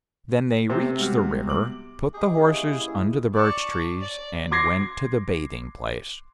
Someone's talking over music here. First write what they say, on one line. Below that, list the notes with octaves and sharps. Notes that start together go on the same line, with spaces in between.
Then they reached the river, put the horses under the birch trees, and went to the bathing-place.
C3 A3
G3 G#3 B3 F#4 G4 F6
D6 F#7
D#4 G4 G#4
E3 A#3 C#4
E4
D5 A5 C#6
D5
C6 D6 G#6 A#6 C7